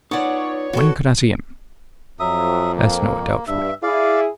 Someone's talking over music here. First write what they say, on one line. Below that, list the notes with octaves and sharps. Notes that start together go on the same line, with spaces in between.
'When could I see him?' asked Noah doubtfully.
B3 D#4 F4 C#5 D5 F#5 A5
E3 F#4 G4 A4
F2 F#3 E5 D#6
A#3
G2 E5
E4 G#4 D5 F5